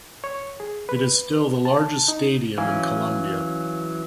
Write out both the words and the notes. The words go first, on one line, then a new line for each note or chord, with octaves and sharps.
It is still the largest stadium in Colombia.
C#5
G#4
B4
A5
D#4
E3 F#3 C#4 F5 G#5